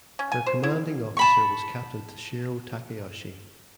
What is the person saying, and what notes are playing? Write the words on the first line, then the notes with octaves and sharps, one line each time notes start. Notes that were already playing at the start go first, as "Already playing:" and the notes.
Her commanding officer was Captain Tashiro Takayoshi.
C#4
G#5
C5
E4
A5 B5 C#6